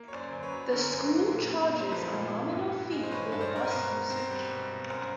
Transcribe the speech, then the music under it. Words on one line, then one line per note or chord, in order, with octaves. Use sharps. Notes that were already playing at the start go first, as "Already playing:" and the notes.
The school charges a nominal fee for the bus usage.
Already playing: A#3
C#5
F#2 C5 D5
F#2
B4 C#5
F#3
D3 A#4 C5
F#2
F#2
A#2
A#2
A#3
C5
F3 A4 B4
A#2
A#2
G2
G2
G#3
C5
D#3 B4 C#5
G2
C5 D5
G2 A#4 C5
B4
B2 A#4 C5
B2
C4
G3
B2
B2
F#2 A#4 C5